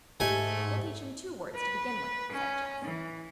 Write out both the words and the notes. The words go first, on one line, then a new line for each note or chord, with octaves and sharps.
"We'll teach him two words to begin with," said Jess.
G#2 A3 G4 D#5 G#5
B4
C#4
E3